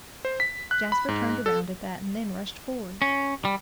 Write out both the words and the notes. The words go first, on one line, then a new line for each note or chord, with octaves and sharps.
Jasper turned around at that--and then rushed forward.
C5
B6
F#6
B5
G#2
A4
C#4
G3